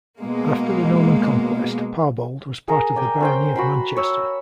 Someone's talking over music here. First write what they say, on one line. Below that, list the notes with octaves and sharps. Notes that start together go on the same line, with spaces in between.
After the Norman conquest, Parbold was part of the Barony of Manchester.
B2 G#3 A#3
G#4 A#4
D5 G5 G#5
C#4 C5 G5
F#4 B5 C6
C#5 E6